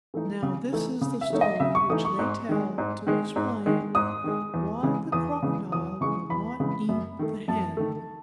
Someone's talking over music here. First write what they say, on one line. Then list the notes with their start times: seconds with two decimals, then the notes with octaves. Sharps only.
Now this is the story which they tell to explain why the Crocodile will not eat the Hen.
0.14 E3 A3 D#4
0.43 C#3
0.73 E3 A3 D#4
1.01 C#3
1.21 E5
1.30 E3 A3 D#4 C#5
1.41 D#5
1.60 C#3 E5
1.75 C#6
1.90 E3 A3 D#4 D#6
2.05 C#6
2.19 G#2
2.49 D#3 G#3
2.78 G#2
3.07 D#3 G#3
3.36 G#2
3.66 D#3 G#3
3.95 G#2 D#6
4.24 D#3 G#3
4.54 E2
4.83 C#3 E3 G#3
5.12 E2 D#6
5.42 C#3 E3 G#3
5.72 E2 D#6
6.01 C#3 E3 G#3 C#6
6.30 E2 B5
6.60 C#3 E3 G#3
6.89 F#2
7.19 D#3 A3
7.48 F#2 A5
7.77 D#3 A3